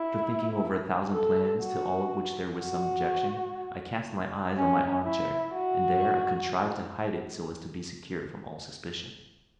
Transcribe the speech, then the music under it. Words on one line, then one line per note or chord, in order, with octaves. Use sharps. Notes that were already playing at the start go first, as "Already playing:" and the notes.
After thinking over a thousand plans, to all of which there was some objection, I cast my eyes on my arm-chair, and there I contrived to hide it so as to be secure from all suspicion.
Already playing: E4
A4
F#4
F#4
C#4
E4
F#4